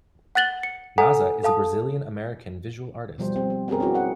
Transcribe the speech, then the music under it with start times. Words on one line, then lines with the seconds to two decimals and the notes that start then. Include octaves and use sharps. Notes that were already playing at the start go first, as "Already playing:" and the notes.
Naza is a Brazilian American Visual Artist.
0.35 F#5 F#6 A6 F#7 G7
0.63 C#7
0.98 A4 F#5 G#5 A#5 D#6
1.44 A4 F5 A5 D#6
3.18 B2 F3 G3 C5
3.36 G3 C4
3.50 G3
3.68 B3 C4 G4 G#4 A#4
3.80 C#4 E4 F#4 G#4
3.94 C#4 F#5